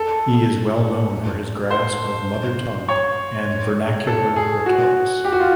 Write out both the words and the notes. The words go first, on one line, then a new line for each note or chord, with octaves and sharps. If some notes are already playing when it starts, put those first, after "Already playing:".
He is well known for his grasp of Mother Tongue and vernacular retorts.
Already playing: A4
C5
C#5
A4
G#4
F#4
G4
F#4
F4